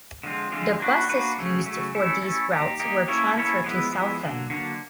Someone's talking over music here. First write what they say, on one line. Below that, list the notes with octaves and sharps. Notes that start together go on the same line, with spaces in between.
The buses used for these routes were transferred to Southend.
D3 F3 G#3 C4 F4
D3 F3 G#3 C4 F4
A#3 D4 F#4 B4
A#3 D4 F#4 B4
C#3 F#3 A3 C#4
C#3 F#3 A3 C#4
A3 C#4 E4 A4
A3 C#4 E4 A4
A#3 D#4 G4
A#3 D#4 G4
A#3 C#4 E4 A4 C#5
A#3 C#4 E4 A4 C#5
F3 G#3 B3 E4
F3 G#3 B3 E4
D3 F#3 A#3 D4
D3 F#3 A#3 D4